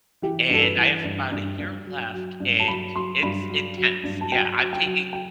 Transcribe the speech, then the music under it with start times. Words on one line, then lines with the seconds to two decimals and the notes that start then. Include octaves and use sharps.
and I have about a year left, and it's intense. Yeah, I'm taking
0.22 E3 G4
0.50 G2 A4
0.63 B4
0.77 E3
1.04 G2
1.31 G2
1.58 G2
1.86 F#3
2.14 F#3
2.40 G2
2.59 A5
2.68 F#3 B5
2.95 F#3 C6
3.22 G2 B5
3.50 F#3
3.77 F#3
4.04 G2
4.21 A5
4.32 F#3 G5
4.58 F#3
4.73 G5
4.86 F#3
5.13 G5